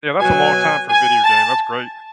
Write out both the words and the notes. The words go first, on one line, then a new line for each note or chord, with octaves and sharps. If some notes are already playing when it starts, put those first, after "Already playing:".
Yeah, that's a long time for a video game, that's great.
B2 F#3 G#5
G#5
A5